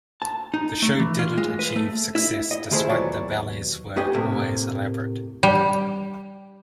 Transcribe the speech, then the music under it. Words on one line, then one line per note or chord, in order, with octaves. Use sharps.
The show didn't achieve success despite the ballets were always elaborate.
A5
D#4
A3
E3
F4
G#3
B4
A3
E4
D#5
D#3 A3 E4 F4 G#4 C5
D#2 B2 F#3 C#5 D5
G#3 C#4 G4 B4 D#5 G5
A2 C3 A3 A#3
G3